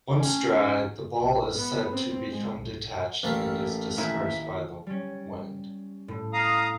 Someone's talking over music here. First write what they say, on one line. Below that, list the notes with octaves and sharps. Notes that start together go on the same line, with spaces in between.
Once dry, the ball is said to become detached and is dispersed by wind.
C#4
A#1
B3
C4
G#3
B1
A1 A3 A#3 F5
D#2 A#2 E4 E5
G3 C#4
A2
F5 A#5 D#6